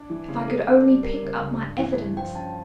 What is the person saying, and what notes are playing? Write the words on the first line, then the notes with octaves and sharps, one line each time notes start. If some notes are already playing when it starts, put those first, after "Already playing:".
If I could only pick up my evidence!
Already playing: D4
E3
C#3
A4 D5
D4
G3
G3 A#4
C#3
C#2
G2
E3
G2
F3 G5
C#4 A5